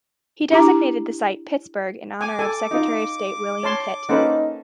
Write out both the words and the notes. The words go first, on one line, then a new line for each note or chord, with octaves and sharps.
He designated the site "Pittsburgh" in honor of Secretary of State William Pitt.
D4 E4 G4 A#5 D6
G#5 D6
A4 G#5
D#4 F4
C#5 A5 C6
A#3 C#4 D#4 A4 B4 C5 F#5